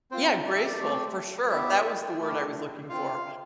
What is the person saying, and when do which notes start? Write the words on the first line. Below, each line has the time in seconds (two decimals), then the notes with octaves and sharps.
Yeah, graceful for sure. That was the word I was looking for.
0.11 C4 F4 C5
0.47 D5
0.56 E5
0.65 D5
0.81 A3 C4 G4
1.50 B3 E4 G4 E5
2.20 A3 E4 G4
2.89 C4 F4 F5